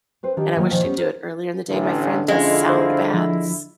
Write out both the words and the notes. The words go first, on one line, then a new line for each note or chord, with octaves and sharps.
and I wish she'd do it earlier in the day, my friend does sound baths
C4 B4 C5
D#3 D4 G4 G#4
D#3 F#3 A#3 B3
A#2 D#3 F3 F5 G#5
G3 B3 C#4 C5
A#4 C5
A1 D3
F2 G#3 C#4 E4 F4
C5
F3 E4